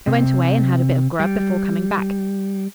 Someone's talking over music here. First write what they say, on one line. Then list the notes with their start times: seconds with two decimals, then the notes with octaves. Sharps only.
I went away and had a bit of grub before coming back.
0.07 C3
1.20 G3